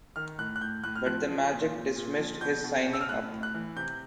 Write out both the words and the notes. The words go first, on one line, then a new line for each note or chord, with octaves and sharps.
But the Magic dismissed his signing up.
D#3 F6
A2 F#6
F#6
A2 G6
A2 F#6
F6
F3 F#6
F3
A#2
A#2
A#2
F3
B2 G6
B2
B2
E6
F6
A2 F#6
A2
F#6
E3
C3 G6